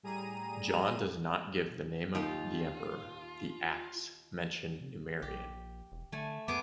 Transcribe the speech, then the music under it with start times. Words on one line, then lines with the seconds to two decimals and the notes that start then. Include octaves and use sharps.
John does not give the name of the emperor; the "Acts" mention Numerian.
0.03 A2 G3 G#4 A#5 D#7
2.15 D#2 D#4 F4 G4
5.22 A#1 G4
5.92 E1
6.12 D3 A3 G#5
6.48 F2 B3 G#4 B4 D6